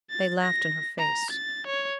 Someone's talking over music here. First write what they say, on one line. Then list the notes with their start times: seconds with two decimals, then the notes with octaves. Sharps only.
They laughed in her face.
0.10 A6
0.42 A#6
0.98 A#5
1.30 A6
1.67 C#5